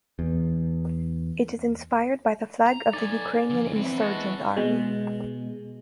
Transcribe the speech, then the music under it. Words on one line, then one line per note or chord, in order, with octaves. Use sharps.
It is inspired by the flag of the Ukrainian Insurgent Army.
E2
A#5
D#4 A4 D5 G#5
D3 F3
B3 C4 E4
G#3 F#4 A5
B2 G#3